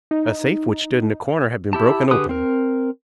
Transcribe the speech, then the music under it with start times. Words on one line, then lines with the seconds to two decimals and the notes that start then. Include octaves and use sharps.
A safe which stood in a corner had been broken open.
0.11 D#4
1.73 E4 G4 A5
2.11 D3 G4 G#4 B4 D#6
2.29 C4 A#4